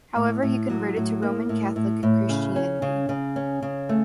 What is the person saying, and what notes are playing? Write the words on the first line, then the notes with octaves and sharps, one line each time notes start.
However, he converted to Roman Catholic Christianity.
A2
A2
F#3
A2
A#3
A2
A2
A2
C#3
C#4
C#3
C#3
C#4
C#3
A3